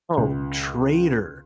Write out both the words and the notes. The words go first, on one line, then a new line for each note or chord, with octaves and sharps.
Oh, traitor.
C#2